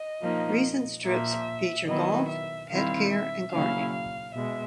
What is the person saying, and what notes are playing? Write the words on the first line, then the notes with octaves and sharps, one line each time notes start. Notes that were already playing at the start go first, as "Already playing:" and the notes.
Recent strips feature golf, pet care and gardening.
Already playing: D#5
F3 A#3 D#4
A#2 F3 A#3 E5
D#3 F#3 B3 E4 D#5
E5
D#3 G3 C4 E4 F5
E5
C#3 F#3 A#3 C#4 E4 F5
F5
B2 G#3 E5